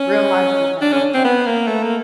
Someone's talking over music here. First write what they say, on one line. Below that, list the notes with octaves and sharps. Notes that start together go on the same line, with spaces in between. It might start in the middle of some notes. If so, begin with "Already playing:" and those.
Real life does not work that way.
Already playing: C#4
D4
C#4
C4
B3
A#3
A3
A#3